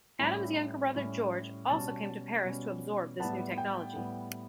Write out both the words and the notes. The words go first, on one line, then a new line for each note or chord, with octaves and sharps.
Adam's younger brother, George, also came to Paris to absorb this new technology.
A2 G3 C#4 B5
A2 G3 C#4
B2 G3 C#4 A5
B2 G3 C#4
A2 G3 B3 A5
G5
A2 G3 B3